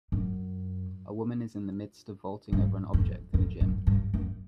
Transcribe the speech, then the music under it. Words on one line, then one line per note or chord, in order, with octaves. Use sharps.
A woman is in the midst of vaulting over an object in a gym.
F#2
G2
F2
F2
F#2
G2
F#2